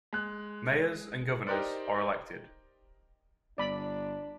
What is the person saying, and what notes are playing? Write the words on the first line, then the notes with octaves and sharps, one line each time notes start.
Mayors and governors are elected.
G#3 F#6
D#4 G4 A#4 C5 D5
G1 D4 D5 B5